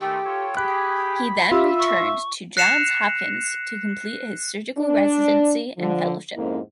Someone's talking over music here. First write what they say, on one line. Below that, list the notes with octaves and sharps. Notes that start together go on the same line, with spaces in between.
He then returned to Johns Hopkins to complete his surgical residency and fellowship.
D#3 G#3 A3 G4 G5
F4 A4 C#5
G4 G#4 B5 F#6
F4 G4 E5
C#6
F#6 A#6 C7 C#7 E7 F7
D4
D3 F3
F2 G#2 A#3 C#4 E4